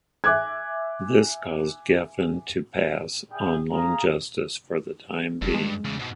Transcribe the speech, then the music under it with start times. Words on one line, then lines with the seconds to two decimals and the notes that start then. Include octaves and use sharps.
This caused Geffen to pass on Lone Justice for the time being.
0.24 E5 G#5 D6 F#6 G#6
3.32 G3 G#4 E5 G5
3.72 G#4 F5 A#5
5.42 F#1 G2
5.54 G#3
5.85 E2 C#3
5.99 G#2 B2